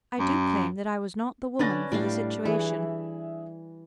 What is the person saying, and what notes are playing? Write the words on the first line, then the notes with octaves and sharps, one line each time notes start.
I do claim that I was not the woman for the situation.
F#2
D3 C#4 D4 B4 A6 A#6
A2 G3 D4 F5
E3 G#4 E5